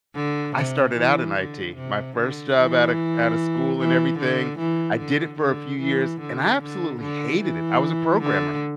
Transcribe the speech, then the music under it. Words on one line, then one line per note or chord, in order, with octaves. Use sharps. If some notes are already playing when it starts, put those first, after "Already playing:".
I started out in IT. My first job out of c out of school and everything. I did it for a few years, and I absolutely hated it. I was a programmer.
D3
C3
E3
D3
C3
D3
E3
E3
D3
E3
D3
D3
E3
D3
D3
D3
E3
D3